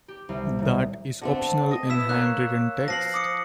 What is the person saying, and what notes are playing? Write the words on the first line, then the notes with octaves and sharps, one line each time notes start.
That is optional in handwritten text.
G4
C2
D#1
D3 A3 C4
D#5
B3 E4 E6 B6 E7
A#3 C#5 F#6
F3 A#6 C7 F#7
D6 D#6 C#7